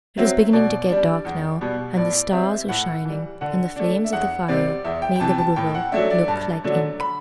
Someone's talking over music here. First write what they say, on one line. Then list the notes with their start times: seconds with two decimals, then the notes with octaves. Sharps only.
It was beginning to get dark now, and the stars were shining, and the flames of the fire made the river look like ink.
0.17 F#3 C4 E5
0.53 B2 D5
0.90 G3 D4
1.25 E2
1.61 B2 G3 B3
1.96 A2 D5
2.33 G3 C4 E5
2.69 A2 F#5
3.05 E3 G3
3.41 D3 F#5
3.76 A3 D4
4.04 E5
4.13 E2 F#5
4.48 C3 G3 C4 D5
4.84 E2 E5
5.02 G5
5.16 G5
5.20 C3 E3 A5
5.38 A5
5.56 A2 G5
5.75 F#5
5.92 F#3 A3 D4 E5
6.10 D5
6.28 G2 A5
6.64 D3 F#3 A3 D4
7.00 B5